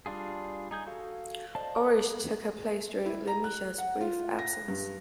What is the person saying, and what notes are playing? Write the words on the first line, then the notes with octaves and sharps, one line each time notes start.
Orish took her place during LeMisha's brief absence.
G3 D4 F4 G#4
D#4 G#4 G6
F#4 A4 F5
C5 D5 D#5 F5 A5
E4
A#5
F#6
F#5
F4
A#6
G2